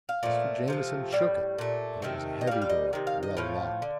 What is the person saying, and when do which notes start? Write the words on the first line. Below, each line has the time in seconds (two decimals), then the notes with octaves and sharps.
Mr. Jamieson shook it, but it was a heavy door, well locked.
0.09 F5
0.23 A#2 F3 A3
0.68 C3 F3 A3
1.12 A2 G3
1.58 A#2 A3
2.02 C3 D#3 A3
2.41 D#5
2.47 A#2 G3 F5
2.62 F5
2.69 D#5
2.93 C3 D#3
3.07 F5
3.23 D#5
3.37 A2 F3 A3 F5
3.82 D3